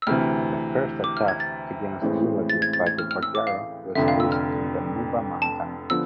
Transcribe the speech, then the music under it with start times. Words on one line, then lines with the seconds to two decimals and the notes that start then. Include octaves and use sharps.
The first attacks against villages by the Baggara were staged in the Nuba Mountains.
0.02 E6
0.07 D2 C3 E3 F6
1.04 D6
1.17 F6
1.28 G#6
1.40 A6
2.01 A1 A2 E3 G#3 C4
2.50 A6
2.62 G#6
2.73 A6
2.87 G#6
2.99 F6
3.11 F6
3.23 E6
3.35 D6
3.47 F5
3.95 F1 F2 D3 E5
4.08 F5
4.20 E6
4.32 F6
5.42 A5
5.90 D3 F3 B3 E6